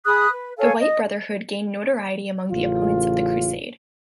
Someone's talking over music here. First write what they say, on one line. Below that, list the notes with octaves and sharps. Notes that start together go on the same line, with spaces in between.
The White Brotherhood gained notoriety among the opponents of the Crusade.
G#4 B5 D#6 F#6
B4
A4 C#5 F5 G#5
D#5
A1 C#3 F4